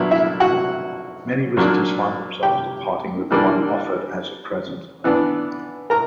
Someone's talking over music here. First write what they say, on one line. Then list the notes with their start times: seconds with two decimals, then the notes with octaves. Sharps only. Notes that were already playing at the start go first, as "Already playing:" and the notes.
Many visitors find themselves departing with one offered as a present.
Already playing: A#2 F#3 B3 D4 E4
0.11 E4 E5
0.40 F#4 F#5
1.57 A#2 F#3 A#3 D4
2.43 G4 G5
3.31 E3 G3 A#3 D4
5.04 E3 B3 D4
5.90 A#4 A#5